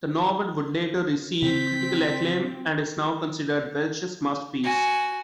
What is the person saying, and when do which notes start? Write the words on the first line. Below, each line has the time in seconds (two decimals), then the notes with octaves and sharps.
The novel would later receive critical acclaim, and is now considered Welsh's masterpiece.
1.42 C#3 C4 G6 B6
4.64 F#4 G#5